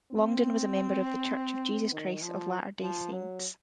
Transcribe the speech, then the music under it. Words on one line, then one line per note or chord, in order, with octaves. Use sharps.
Longden was a member of The Church of Jesus Christ of Latter-day Saints.
C4
D#3
F3
F3
F#3